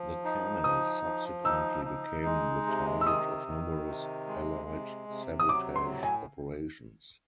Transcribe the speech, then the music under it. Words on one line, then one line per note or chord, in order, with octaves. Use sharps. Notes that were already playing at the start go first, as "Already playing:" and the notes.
The canal subsequently became the target of numerous Allied sabotage operations.
Already playing: F3
D#4
F3 D#6
F3
D#4 E6
D#4
G#3
C3
E6
D#3 D#6
D#3
C3
G#3
C3
C3
D#6
F#3 D6
C6
A2
G#5